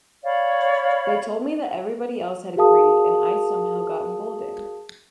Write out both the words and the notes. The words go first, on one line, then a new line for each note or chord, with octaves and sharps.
They told me that everybody else had agreed and I somehow got emboldened.
C#5 D5 F5 B5
F#4 G#4 A#4 F5 A5 D#6